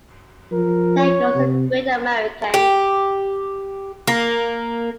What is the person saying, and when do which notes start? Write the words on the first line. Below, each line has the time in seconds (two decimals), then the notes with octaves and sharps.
There goes a great American.
0.52 F3 A#4
0.99 C#5
1.35 C3
2.54 G4
4.07 A#3